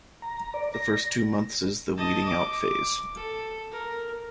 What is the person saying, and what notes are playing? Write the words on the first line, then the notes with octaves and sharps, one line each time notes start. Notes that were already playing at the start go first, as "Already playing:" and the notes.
The first two months is the weeding out phase.
A#5
D5
A#6
D#5 A5
D6
A4
A#4